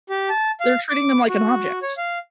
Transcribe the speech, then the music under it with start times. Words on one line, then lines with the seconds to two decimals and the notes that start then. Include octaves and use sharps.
They're treating them like an object.
0.10 G4
0.29 A5
0.60 F5
0.90 D6
1.29 F#4
1.83 C#5
1.98 F5